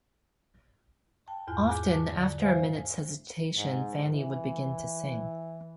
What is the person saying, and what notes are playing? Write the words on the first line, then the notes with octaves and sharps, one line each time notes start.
Often, after a minute’s hesitation, Fanny would begin to sing.
G5 A5
E2 G#2 F4 G#5 F#6 G6
G#4 G#5 D6 F#6 G6
D3 D5 A5 D6 F#6
B4 C5 E5 F5 G#5
G#2
E3